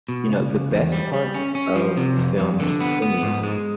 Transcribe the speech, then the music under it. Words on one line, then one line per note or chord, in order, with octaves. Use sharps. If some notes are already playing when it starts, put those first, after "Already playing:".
you know, the best parts of films for me
B2
C#2
C#2
E2
G3
G3
C#4
C#4
F3
C3
F2
F2
D3
B3
B3
G#2
G#3